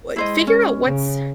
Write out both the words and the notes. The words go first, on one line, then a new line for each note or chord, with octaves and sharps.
what figure out what's
G#3 E4 C5 D#5
C#4
C#3